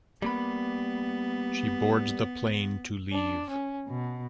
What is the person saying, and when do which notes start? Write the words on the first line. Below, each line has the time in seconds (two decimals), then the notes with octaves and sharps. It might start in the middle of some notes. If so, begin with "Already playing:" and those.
She boards the plane to leave.
0.22 G3 A#3 B3 B5
3.12 D4
3.48 C#4
3.88 B2